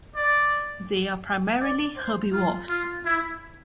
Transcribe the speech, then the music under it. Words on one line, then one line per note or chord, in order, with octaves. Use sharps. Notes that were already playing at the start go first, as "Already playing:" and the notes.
They are primarily herbivores.
D5
D5
C5
F4
F4
E4